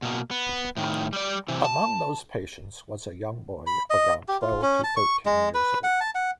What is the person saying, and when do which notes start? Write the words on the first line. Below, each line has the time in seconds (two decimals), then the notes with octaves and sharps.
Among those patients was a young boy around twelve to thirteen years-old.
0.02 B2 A#3
0.31 B3
0.77 A2 D#3
1.13 G3 D5
1.48 C3 E3
1.64 A5
3.67 B5
3.90 D#5
4.28 G4
4.42 F4
4.62 C#4
4.84 A5
4.96 C#6
5.26 G#3
5.54 B4
5.83 F#5
6.01 A5
6.15 F#5